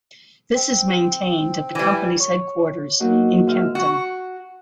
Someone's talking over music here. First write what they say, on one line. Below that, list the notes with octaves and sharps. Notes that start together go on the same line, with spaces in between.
This is maintained at the company's headquarters in Kempten.
C4
E3 G3
C#5
F#3 A#3 B3 D#4 F#4
G#2 E5 F6
F#4